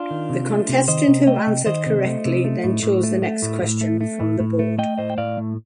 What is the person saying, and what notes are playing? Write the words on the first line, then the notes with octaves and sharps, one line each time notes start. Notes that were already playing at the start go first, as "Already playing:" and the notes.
The contestant who answered correctly then chose the next question from the board.
Already playing: D4 F4
D#3
C3
A3
C3
D#3 C5 D#5
C3
A3 D#5 G5
C3
D#3 C5 D#5
C3
A3
C3
A3
A2
A2
A3
A3
A2
A2
A3
A3
A2
A2
A3
A3 D#5 G5
A2 C5 D#5
G5
A2 D5 F5
A3